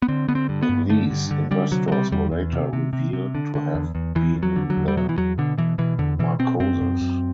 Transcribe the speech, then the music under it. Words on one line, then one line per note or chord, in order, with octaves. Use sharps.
These investors were later revealed to have been the Marcoses.
B3
D3 C4
D3 B3
C4
G2
B3
G2
D3 A3
G2
D3
D3 G3
C3 F#3
F#3
C3 G3
E2 G3
E2
C3
C3
C3
C3
D3
D3
E2
E2
E2 E3
E2
F#3
D3
F#3
E2
G3
B2 F#3
E3
E2 F#3
B2 D3
B2 E3
B2 E3
E2 D3
B2 E3
B2 C4
F#2 C4
F#2
F#2